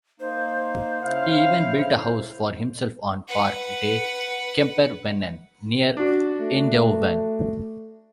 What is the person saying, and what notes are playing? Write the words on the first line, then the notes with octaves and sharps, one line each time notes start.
He even built a house for himself on park "De Kempervennen" near Eindhoven.
A#3 D#4 C5
C#3 E4 F5
B4 F#5
D4 F#4
A3